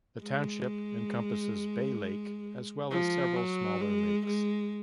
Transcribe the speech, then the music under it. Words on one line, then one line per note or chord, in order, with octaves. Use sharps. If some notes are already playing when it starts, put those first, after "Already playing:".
The township encompasses Bay Lake as well as several smaller lakes.
G#3
F3
F#3
G#3
G#3